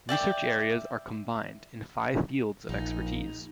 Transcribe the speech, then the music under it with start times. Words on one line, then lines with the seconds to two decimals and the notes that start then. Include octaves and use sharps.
Research areas are combined in five fields of expertise.
0.09 D5 E5 G5 D6
2.69 A#1 D#4